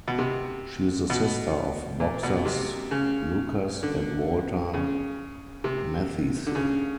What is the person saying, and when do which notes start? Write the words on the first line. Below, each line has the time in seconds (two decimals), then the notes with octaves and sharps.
She is the sister of boxers Lucas and Walter Matthysse.
0.08 B2
0.19 C3
1.10 B2
2.00 A#2
2.23 B2
2.45 C3
2.91 C#3
3.83 D3
4.74 C#3
5.64 C3
6.46 D3
6.55 C#3